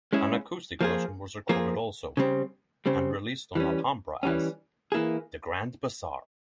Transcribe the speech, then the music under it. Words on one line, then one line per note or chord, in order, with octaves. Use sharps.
An acoustic version was recorded also and released on Alhambra as "The Grand Bazaar".
G#3 C#4 E4 G#4
F3 A#3 F4 G#4
F3 A#3 F4 G#4
C#3 G3 C4
C#3 G3 C4
E3 G3 C#4
E3 G3 C#4
E3 A#3 E4 G#4